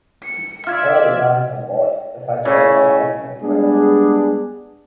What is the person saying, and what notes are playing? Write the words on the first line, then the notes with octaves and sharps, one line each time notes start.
All the guns on board the fighter aircraft are automatic weapons.
C#7
F4 D5 E5 F6 G#6
A2 C#3 C#5
G3 G#3 B3 D4 G#4